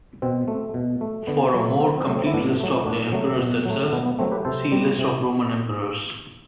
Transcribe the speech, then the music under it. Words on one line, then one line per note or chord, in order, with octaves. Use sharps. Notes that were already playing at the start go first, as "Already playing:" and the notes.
For a more complete list of the Emperors themselves, see List of Roman Emperors.
B2 C4
A3
B2
A3
D3 B3
F#3 A3
D3 C4
C4
F#3 A3
C4
E4
A2 B3 D4
F#3 A3
A2 D4 F#4
F#3 A3
B2
F#3 A3
B2 B3 D4
B3
F#3 A3 C4
G4 B4
C3 A4 C5
G3
C3